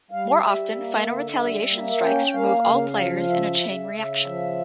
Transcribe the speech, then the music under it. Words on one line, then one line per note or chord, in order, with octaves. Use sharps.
More often, final retaliation strikes remove all players in a chain reaction.
G3 F5
F5
G3 E5
A#3
D3
G3
A#3
C#4 G5
A#3 F5
C#3
F3
C#3 E5
C#3
C#3
F3